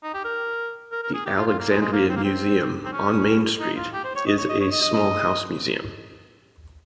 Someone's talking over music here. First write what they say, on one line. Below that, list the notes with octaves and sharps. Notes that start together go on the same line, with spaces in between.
The Alexandria Museum, on Main Street, is a small house museum.
D#4
G4
A#4
A#4
A#4
G#4
G4
F4
F4
A#3
G#3
G#3
A#3
C4
A#3
C4
C4
C#4
D#4
F4
G4
C5
C#5
D#5
C#5
D#5
C#5
D#5
D#5
D#5